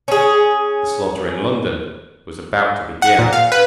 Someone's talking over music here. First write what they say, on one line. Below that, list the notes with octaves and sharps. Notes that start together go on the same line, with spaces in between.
The slaughter in London was about to begin.
C#4 G#4
F#5
A#2
F5
B4